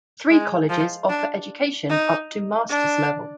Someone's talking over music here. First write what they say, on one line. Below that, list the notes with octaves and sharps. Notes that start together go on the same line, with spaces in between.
Three colleges offer education up to Master's level.
G#3
F3
D4
D#4
D4